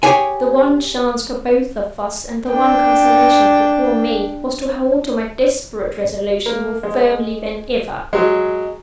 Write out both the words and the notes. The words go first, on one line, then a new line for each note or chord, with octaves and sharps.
The one chance for both of us, and the one consolation for poor Me, was to hold to my desperate resolution more firmly than ever.
G4 G#4 C#5 G#5
D4 G5
A#3
G#3
F#3 G#3